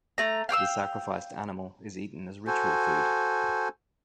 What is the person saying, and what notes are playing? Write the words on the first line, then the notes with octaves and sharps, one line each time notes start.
The sacrificed animal is eaten as ritual food.
A3 A#5
F5 G5 D6 E6
F#4 A4 C5 G#5